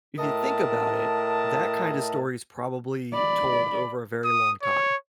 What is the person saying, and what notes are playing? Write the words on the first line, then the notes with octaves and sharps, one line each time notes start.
if you think about it, that kinda story is probably told over a very long time.
A2 A#4 D#5 A5
D5 B5
D#6
C#5